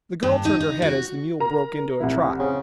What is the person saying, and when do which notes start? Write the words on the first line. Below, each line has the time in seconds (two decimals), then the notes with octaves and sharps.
The girl turned her head as the mule broke into a trot.
0.23 G2
0.45 D#4
0.60 D#4
0.82 F#4
1.40 A#4 A#5
2.00 F1 C2 E4
2.39 C#3 C4